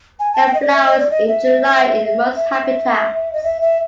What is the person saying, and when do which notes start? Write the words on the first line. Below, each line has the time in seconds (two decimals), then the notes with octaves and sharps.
It flowers in July in most habitats.
0.19 G#5
0.33 A5
0.47 G5
0.55 D#5
0.61 D5
0.74 E5
0.86 D#5
0.98 D5
1.11 D#5
1.28 E5
2.36 E5
3.33 D#5
3.44 E5
3.62 E5